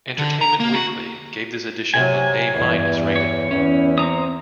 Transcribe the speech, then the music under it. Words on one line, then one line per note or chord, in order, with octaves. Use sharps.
"Entertainment Weekly" gave this edition an "A-" rating.
D3
A#5
A#3
F#4
C3 F#3 G#5
E2 G2
C#5
E2 C#4
C4 A#5 D#6